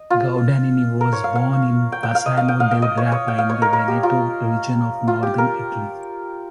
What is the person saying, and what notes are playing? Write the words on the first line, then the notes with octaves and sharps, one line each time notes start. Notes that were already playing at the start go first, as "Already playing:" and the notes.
Guadagnini was born in Bassano del Grappa in the Veneto region of northern Italy.
Already playing: D#5
F4
A#4
C#5
F5
F5
G5
G5
F5
D#5
F5
G5
F5
G5
D#5
C#5
C#5
G5
F5
C#5
A#4
A#4
G4
F4
F4
G4
A#4